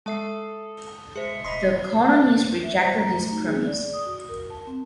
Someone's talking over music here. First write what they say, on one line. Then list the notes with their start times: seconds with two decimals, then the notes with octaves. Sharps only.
The Colonies rejected this premise.
0.06 G#3 A4 E5 A5 D#6 C7
1.16 G#3 G#4 C5 E5 C#7
1.44 E1 D#5 B5 C6 D#6 B6 C7
2.63 E5
2.80 C5
2.98 A#5
3.18 A3
3.31 D#4
3.46 G#4
3.65 D5
3.93 D#6
4.06 F#4
4.29 A#4
4.50 A5
4.67 C4